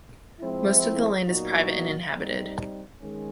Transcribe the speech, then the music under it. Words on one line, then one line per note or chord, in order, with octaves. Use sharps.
Most of the land is private and inhabited.
F3 G#3 C4 E4
A#2 F#3 B3 D#4 F#4
G3 C4 D#4
D#3 G#3 C#4